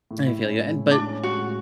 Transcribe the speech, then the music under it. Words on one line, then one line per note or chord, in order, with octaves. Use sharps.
I feel you, and but,
A2
E4
C#4
G#3
A2
D4 E4
C#4
G#3 F#4
A2